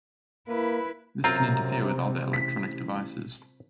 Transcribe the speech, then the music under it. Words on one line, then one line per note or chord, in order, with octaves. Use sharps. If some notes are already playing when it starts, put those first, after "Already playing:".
This can interfere with other electronic devices.
A#3 E4 B4
F#2 C3 C4 F4 A#5
A1 B6